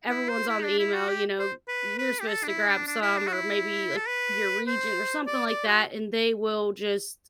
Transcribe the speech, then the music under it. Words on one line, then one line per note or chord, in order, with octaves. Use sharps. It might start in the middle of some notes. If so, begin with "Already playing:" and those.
everyone's on the email, you know, you're supposed to grab some, or maybe, like, your regent or something like that, and they will just
E4
C5
E4
D4
E4
F#4
G4
C5
B4
B4
G4
A4
D4
E4
D4
D4
E4
D4
F#4
E4
A4
B4
C5
D5
D5
F#4